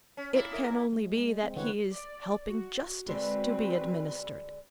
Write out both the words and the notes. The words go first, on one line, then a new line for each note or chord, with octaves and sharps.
It can only be that he is helping Justice to be administered.
C#4
A#2 E4
D#4 A#4 E5
A#4
G#3
G#3
C4
D3 E3 G3 B4 C#5 F#5
D5
F#4
D3 G#3 C4 F#4 B4 D5